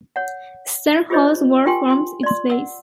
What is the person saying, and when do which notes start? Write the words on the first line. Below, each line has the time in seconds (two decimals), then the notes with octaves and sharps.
Sternhold's work forms its base.
0.16 C#5 F#5
1.10 F4 G4 G#4 C5 C#5 D#5
1.66 F4 G4 A#4 G5 G#5 C6
1.90 C6
2.23 D5 C6
2.50 F#5 E6